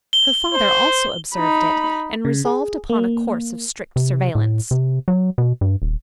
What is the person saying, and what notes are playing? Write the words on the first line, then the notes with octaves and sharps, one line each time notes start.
Her father also observed it, and resolved upon a course of strict surveillance.
G7
C5
D#4 B5
C#3
G#4
A#3
C3
A2
C3
F#3
B2
G2
D#1